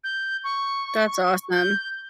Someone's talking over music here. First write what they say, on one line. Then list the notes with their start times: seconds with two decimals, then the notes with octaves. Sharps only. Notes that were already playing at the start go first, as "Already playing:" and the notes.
That's awesome.
0.04 G6
0.44 C#6
1.54 G6